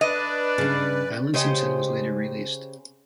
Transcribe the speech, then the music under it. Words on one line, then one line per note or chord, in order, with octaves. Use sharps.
Alan Simpson was later released.
D4 B4 D5 D#5
G2 C#3
C#3 G4 C5 D#5